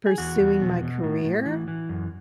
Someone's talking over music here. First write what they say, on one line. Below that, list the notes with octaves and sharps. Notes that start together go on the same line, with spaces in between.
pursuing my career,
G#4
E2 F#4
E2
B2
B2
A2
A2
E3
E3
F#2